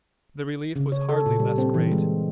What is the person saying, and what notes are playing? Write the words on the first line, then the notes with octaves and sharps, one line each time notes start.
The relief was hardly less great.
C#3
C#5
A4
A#2
G3
C4
E3
G#3